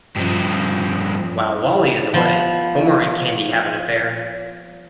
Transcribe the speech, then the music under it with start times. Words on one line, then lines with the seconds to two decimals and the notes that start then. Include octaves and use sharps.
While Wally is away, Homer and Candy have an affair.
0.17 G2 F3
2.14 F3 B3